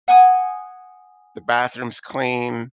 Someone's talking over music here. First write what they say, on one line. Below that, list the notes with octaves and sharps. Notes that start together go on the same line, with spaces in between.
the bathroom's clean,
F#5 G#5 D#6